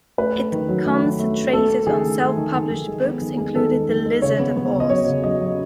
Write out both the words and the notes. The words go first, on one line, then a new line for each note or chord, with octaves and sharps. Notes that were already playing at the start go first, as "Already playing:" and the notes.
It concentrated on self-published books, including The Lizard of Oz.
A3 B4
A3
D#3
F#3
A3
F#3
A3
A3
A3 A4
A3
D#3 G#4
A3
A3
D#3
D#3
D#3
G#3
B3
D#3
G#3
D#3 A4
G#3
D#3
G#3
C#3 C#5
B3
B3
C#3
D#5
F#3 C#5
C#3
F#3 D#5
F#3